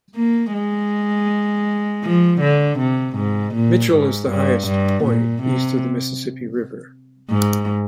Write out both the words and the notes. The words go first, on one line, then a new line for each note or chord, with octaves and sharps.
Mitchell is the highest point east of the Mississippi River.
A#3
G#3
F3
D3
C3
G#2
A#2
G#2
G2
G2
A#2
C3
G#2